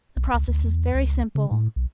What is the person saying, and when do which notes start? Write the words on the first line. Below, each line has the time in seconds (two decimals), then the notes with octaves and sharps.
The process is very simple.
0.16 B1
0.34 C#2
0.48 D2
0.64 E2
0.95 C#2
1.35 C#3
1.51 A2
1.76 B1